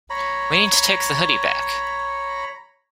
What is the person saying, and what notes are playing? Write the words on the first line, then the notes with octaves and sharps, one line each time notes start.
We need to take the hoodie back!
C#5 A#5 B5